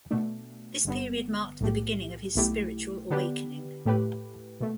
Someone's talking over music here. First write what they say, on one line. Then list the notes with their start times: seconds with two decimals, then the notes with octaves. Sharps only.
This period marked the beginning of his spiritual awakening.
0.11 B2 A3 D4
0.85 G1 G2 D3 B3
1.61 B1 A2 A3 G4
2.35 B1 B2 A3 E4 G4
3.10 D3 B3 D4 G4 B4
3.86 A2 A3 G4 B4
4.60 B2 A3